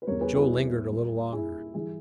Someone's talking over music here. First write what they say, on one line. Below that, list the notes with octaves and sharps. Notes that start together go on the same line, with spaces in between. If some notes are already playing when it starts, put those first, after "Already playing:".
Joe lingered a little longer.
B4
E2 B2 G3 A#4 C#5
G#4 B4
G4
E4 G#4
A#2 G3
E4 G#4
E3 G3 E4 G#4